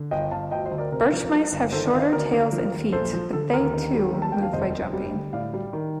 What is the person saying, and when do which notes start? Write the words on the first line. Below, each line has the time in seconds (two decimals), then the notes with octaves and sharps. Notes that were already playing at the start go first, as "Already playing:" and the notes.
Birch mice have shorter tails and feet, but they, too, move by jumping.
Already playing: D3
0.11 G1 D#5 G5
0.31 G1 F5 A5
0.51 D2 D#5 G5
0.66 C5 D#5
0.71 D2
0.78 A#4 D5
0.92 C3 A#4
1.13 F3
1.33 G3
1.52 G1
1.72 D#3 A4 C5
1.86 A#4 D5
1.92 D#3 F5
1.99 C5 D#5
2.12 D2 A#4 D5
2.32 D3
2.52 F3
2.72 D#2
2.92 A#1 A4 C5
3.13 F3
3.33 D3 A4
3.53 D#2 A#4
3.73 D#3
3.93 G3
4.13 D#2
4.22 A5
4.32 D#2 G5
4.42 F5
4.53 F1 C5 D#5
4.74 F1
4.93 G3
5.14 D3
5.33 A2 D5 F5
5.54 G3
5.73 D#3